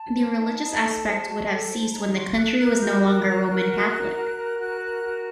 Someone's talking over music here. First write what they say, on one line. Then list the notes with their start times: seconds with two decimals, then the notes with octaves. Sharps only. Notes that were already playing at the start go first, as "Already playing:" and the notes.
The religious aspect would have ceased when the country was no longer Roman Catholic.
Already playing: A5
0.15 C5
0.37 D#4
0.59 D#4
0.81 A4
1.03 C5
1.26 F#4
1.48 A4
1.70 C5
1.92 D#4 A#5
2.14 F#4 C6
2.36 A4 F#6
2.58 A#4 F#6
2.80 F#4 G6
3.03 A#4 F#6
3.25 F#4
3.47 A#4
3.70 F#4
3.91 A#4
4.14 F#4
4.36 A#4
4.58 F#4 F#6
4.80 A#4
5.02 F#4